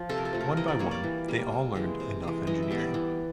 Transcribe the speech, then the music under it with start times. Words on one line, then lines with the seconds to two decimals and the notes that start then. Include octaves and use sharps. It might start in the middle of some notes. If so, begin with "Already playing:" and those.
One by one, they all learned enough engineering.
Already playing: F3
0.09 C3 A4
0.18 A#4
0.25 A4
0.33 F3 A3
0.41 A#4
0.57 E3 D#5
0.68 D5
0.79 G3 A#3 C#5
0.91 D5
1.04 E3
1.28 G3 A#3
1.52 C3
1.75 E3 G#3
2.00 C3
2.23 E3 G#3
2.47 E3 D#5
2.62 E5
2.71 G3 B3
2.79 D5
2.94 E3